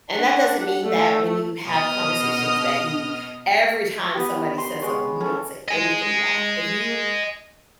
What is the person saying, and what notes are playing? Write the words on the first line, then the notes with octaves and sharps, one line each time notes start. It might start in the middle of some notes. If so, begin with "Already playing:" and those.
And, that doesn't mean that when you have conversations that you every time somebody says something, you don't say anything back, if you
D4 F#5
A3
B2 D#5 D#6 F6
B3 G4
C6
G#3 B3 C#5
C#4 A4
D#5 G#5